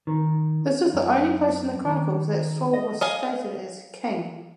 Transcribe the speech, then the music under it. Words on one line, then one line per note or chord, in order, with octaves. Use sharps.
This is the only place in the Chronicles that Saul was stated as king.
D#3
F#2
D#3
D#5
D#5 F5 G#5